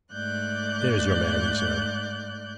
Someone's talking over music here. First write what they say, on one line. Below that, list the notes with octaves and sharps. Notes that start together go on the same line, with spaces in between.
'There's your man,' he said.
G#2 A3 D5 F#6 G6